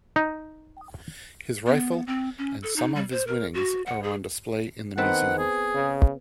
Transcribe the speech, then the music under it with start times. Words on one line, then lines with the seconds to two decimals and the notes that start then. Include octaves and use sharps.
His rifle and some of his winnings are on display in the museum.
0.16 D#4
1.67 B3
2.07 C4
2.38 C#4
2.63 A4
2.76 D#4
2.95 G3
3.11 C5
3.27 A#4
3.54 F#4
3.86 F#5
4.03 G#4
4.98 D#3 B3 C4 A4 F#5
5.38 G#4
5.74 C#3